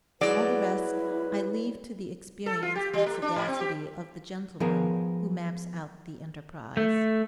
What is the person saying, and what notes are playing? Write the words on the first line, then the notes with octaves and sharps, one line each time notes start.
All the rest I leave to the experience and sagacity of the gentleman who maps out the enterprise.
E2 G#2 F#3 E4 B4 D5 G5
A4
F4
G4
G3
A3
D4
G#2
C4
G4
F3 B3 G#4 A#4
A3